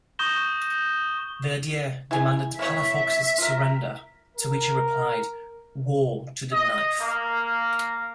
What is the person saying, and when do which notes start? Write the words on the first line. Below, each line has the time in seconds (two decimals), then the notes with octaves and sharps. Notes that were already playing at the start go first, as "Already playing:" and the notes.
Verdier demanded Palafox's surrender to which he replied "War to the knife".
0.19 C#6 D#6 G6 A#6 E7 G7
2.11 E4 G#4 G#5
2.59 A#3 E4 C#5 E5
3.38 F4 A#4
4.37 A#4
6.52 D#5
7.00 A#3